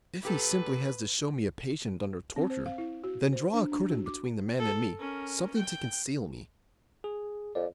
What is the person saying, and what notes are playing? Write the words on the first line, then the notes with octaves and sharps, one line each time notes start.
If he simply has to show me a patient under torture, then draw a curtain between the man and me, something to conceal me.
A#2 G4 A4 B4
C4
C5
F5
E4
F#4
C5
D4
D4
F#4
D6
A4
C#4 A#4
G5
G#4
F2 D5